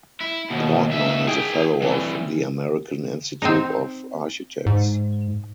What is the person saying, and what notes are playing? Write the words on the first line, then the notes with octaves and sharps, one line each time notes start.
Portman is a Fellow of the American Institute of Architects.
E4
D#2 B2
D#2 E5
G#4 G5
E3 C4
C4 D#4
G#2